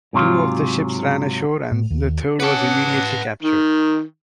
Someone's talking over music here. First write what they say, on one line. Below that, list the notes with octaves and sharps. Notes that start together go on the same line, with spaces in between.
Two of the ships ran ashore and the third was immediately captured.
G#2 C3 F#3 F4
A2
D#2
C#4 B4 F#5 A5 D6 C#7
D#3